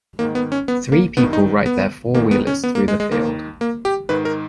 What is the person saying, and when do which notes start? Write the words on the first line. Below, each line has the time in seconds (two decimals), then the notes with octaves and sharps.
Three people ride their four wheelers through the field.
0.19 G#2 D#3 A#3
0.35 B3
0.52 C#4
0.68 B3
0.92 A#3
1.17 G2 D#3 B3
1.33 D#4
1.66 B3
2.14 E2 D#3 A#3
2.31 B3
2.47 C#4
2.64 B3
2.75 A#3
2.88 G#3
3.00 G#3
3.12 D#2 D#3 A#3
3.61 A#3
3.85 G4
4.09 G#2 D#3 B4
4.25 A#4